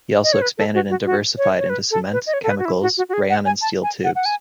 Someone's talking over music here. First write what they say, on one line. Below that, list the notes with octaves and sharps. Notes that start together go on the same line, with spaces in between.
He also expanded and diversified into cement, chemicals, rayon and steel tubes.
D#5
C#5
B4
A4
F#4
F#4
F#4
C#5
C#5
B4
A4
B4
D#5
C#5
A4
B4
F#4
E4
F#4
F#4
F#4
G#4
F#5
G#5
A5
G#5
F#5
F#5
G#5